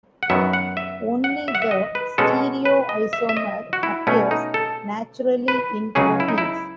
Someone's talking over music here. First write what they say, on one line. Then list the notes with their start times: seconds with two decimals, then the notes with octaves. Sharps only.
Only the -stereoisomer appears naturally in proteins.
0.23 F#5
0.30 F#2 D#3 F#3 B3 E5
0.53 F#5
0.77 E5
1.24 F#5
1.48 E5
1.55 F#5
1.62 E5
1.71 D#5
1.95 B4
2.18 B2 G#3 C#4 A4
2.65 B4
2.89 D#5
3.13 E5
3.29 E5
3.37 D#5
3.73 F#4
3.83 E4
4.07 B2 A3 C#4
4.31 D#4
4.54 A4
5.48 B4
5.95 C#2 C#3 F#3 C#4 G#4
6.20 E4
6.29 D#4
6.38 E4